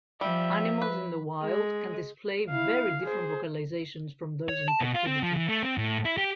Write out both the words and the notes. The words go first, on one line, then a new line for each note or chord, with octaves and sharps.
Animals in the wild can display very different vocalizations from those in captivity.
F3 G3 E5
B4
G#3
E4 F5
G#4 C5
C#5
A5
B2
F4
C4
F3
E3
A3
C4
A2
E4
G4